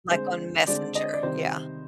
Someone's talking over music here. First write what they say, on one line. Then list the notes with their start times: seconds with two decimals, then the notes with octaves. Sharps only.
Like, on Messenger. Yeah.
0.11 D3 G#3 C4 C5
0.67 D3 G#3 C4 D5
0.95 D#5
1.13 D5
1.23 C3 D#3 G3 C5